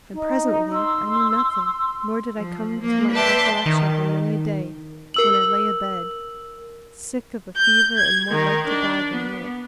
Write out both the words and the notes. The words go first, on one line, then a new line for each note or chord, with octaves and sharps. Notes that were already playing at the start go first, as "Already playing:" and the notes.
And presently I knew nothing, nor did I come to my recollection for many a day, when I lay abed, sick of a fever and more like to die than live.
D#4
C6 E6
F3
A#3
B4 D5 E5 G5 A5 C6
D#3
A#4 E6 F#7
G6
G#6
D#3
D4
B3